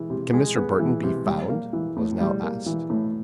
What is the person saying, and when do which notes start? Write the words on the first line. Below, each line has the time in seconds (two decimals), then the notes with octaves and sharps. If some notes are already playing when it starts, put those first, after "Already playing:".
"Can Mr. Burton be found?" was now asked.
Already playing: E3 G#3
0.10 C3
0.33 G#3
0.56 B3
0.80 E3
1.03 C3
1.26 G3
1.49 A#3
1.73 E3
1.97 A2
2.20 G3
2.43 A#3
2.66 E3
2.90 A2